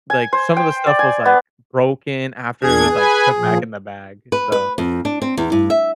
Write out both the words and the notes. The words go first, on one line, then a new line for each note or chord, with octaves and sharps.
like, some of the stuff was, like, broken after it was, like, put back in the bag, eh, so,
G#5
C5
G5
D5
G#5
B3
E2 D4 G#4 G#6
B4 G#5
A#2 F3
B4
B4
F2
D4
C4
E2
G2
E5